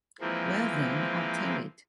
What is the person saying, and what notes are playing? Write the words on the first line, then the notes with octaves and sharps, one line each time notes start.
Well then, I’ll tell it.
E3 F3 G#3 A#3 C4